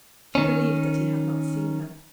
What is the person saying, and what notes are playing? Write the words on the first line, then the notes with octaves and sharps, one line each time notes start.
She believed that he had not seen her.
D#3 C#4